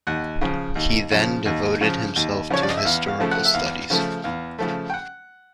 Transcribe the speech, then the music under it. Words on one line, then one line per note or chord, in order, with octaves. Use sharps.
He then devoted himself to historical studies.
D#2 F#5
C#3 F3
D#2
C#3 F3
D#2
C#3 F3
D#2
C#3 F3 C#5
D5
D#5
E5
E2 F5
F5
C#3 F3 A3
F#5
E5
E2 F5
C#3 F3 A3
E2 F5
C#3 F3 A3
G5
F#5